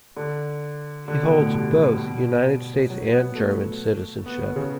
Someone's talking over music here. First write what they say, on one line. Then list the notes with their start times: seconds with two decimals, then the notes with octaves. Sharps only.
He holds both United States and German citizenship.
0.17 D3
1.08 D3
1.23 B2
1.38 A2
1.53 G2
1.98 B2
2.90 F#3
3.12 B3
3.35 A3
4.26 B3
4.41 B3
4.56 C#3